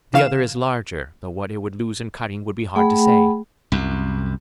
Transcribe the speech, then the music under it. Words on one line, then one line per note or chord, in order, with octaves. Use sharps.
The other is larger, though what it would lose in cutting would be hard to say.
C#3 E3 F5 E7
A3 G#4 F#5 G5 B5
C2 F#2